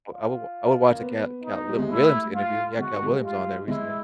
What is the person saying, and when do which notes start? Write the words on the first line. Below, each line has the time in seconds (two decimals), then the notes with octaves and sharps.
Uh, I wol I would watch the Katt Katt l Williams interview, he had Katt Williams on there recently.
0.11 F4
0.90 A#3
1.00 B3
1.44 D#4
1.68 G3
1.79 G#3
1.89 A3 E4
2.34 F4
2.79 G#3 F#4
2.94 G3
3.03 G#3
3.08 G3
3.24 F4
3.68 G#3 E4